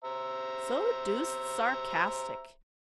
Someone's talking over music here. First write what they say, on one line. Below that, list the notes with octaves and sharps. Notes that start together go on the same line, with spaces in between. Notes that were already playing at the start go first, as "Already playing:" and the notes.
'So deuced sarcastic!
C5 E5 A#5